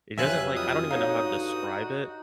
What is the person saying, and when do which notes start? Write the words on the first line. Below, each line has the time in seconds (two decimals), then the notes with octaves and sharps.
it doesn't like, I don't even know how to describe it,
0.18 F2 C3 F#3 F4 B4 E5 G#5 F#6
0.56 G3 D#4 F4 D#6
0.91 G2 D#4 F#4 A4 C#5 F5